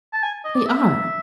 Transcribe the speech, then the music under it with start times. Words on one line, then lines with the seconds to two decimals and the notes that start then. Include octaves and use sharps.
They are.
0.13 A5
0.23 G#5
0.44 D#5
0.55 D5
0.66 E5
0.77 E5